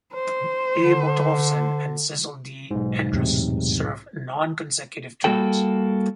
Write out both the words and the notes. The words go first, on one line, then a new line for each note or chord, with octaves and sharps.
A. Bottolfsen and Cecil D. Andrus-served non-consecutive terms.
C5
D3
B1 G#2
E2 A2 C3
G3 A#3 F#4 A4 G5